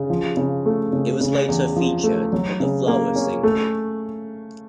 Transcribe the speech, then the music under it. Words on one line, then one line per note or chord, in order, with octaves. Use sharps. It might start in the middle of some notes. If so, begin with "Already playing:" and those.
It was later featured on the "Flower" single.
Already playing: C#3
F3
C#3
A3
C#3
C#3
E2
F3
A3
F#3
C#3
A#3
C#4
A3